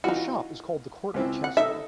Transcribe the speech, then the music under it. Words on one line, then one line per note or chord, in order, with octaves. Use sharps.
His shop is called the Court of Chancery.
E3 D#4 F4 F#4
C#2 C4 E4
F#5
D#4 A4 E5